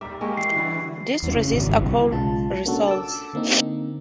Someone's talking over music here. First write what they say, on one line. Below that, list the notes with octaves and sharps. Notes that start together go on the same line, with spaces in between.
These resins are called resoles.
D#1 G3 E5 A#5 D6
G#3 A#3 G4 C#6
E3 C4 C7
D3 G3 E4 F#4 G4 B4
E2 G3
C#3
G#1 A#2
G#2 D3 E3
C2 G3
B1 C#3 G#3 F4 A5
A#3 C#4 D4 F#4 A4
A5 D6 E6
D3 A#3 C4 D#4